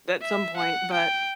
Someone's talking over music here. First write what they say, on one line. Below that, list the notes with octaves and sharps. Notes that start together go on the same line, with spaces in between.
that some point, but,
E5
F#5
G5